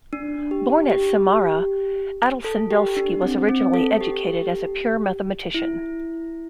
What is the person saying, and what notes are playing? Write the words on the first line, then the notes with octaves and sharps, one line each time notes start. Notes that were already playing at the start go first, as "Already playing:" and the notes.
Born at Samara, Adelson-Velsky was originally educated as a pure mathematician.
D4
G4
G4
A4
G4
D4
C4
C4
A4
G4
E4